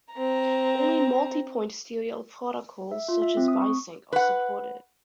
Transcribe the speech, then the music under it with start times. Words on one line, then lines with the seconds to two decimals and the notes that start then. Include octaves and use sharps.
Only multipoint serial protocols such as Bisync are supported.
0.14 C4 A#5
2.91 E5
3.08 F4
3.22 E5
3.37 C4
3.48 D#6
3.60 C#6
4.13 B4 F#5